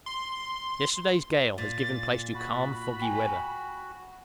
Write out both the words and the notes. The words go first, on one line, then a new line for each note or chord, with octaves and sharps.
Yesterday's gale has given place to calm foggy weather.
C6
A#2 A6
F#4 B5
G5 G#5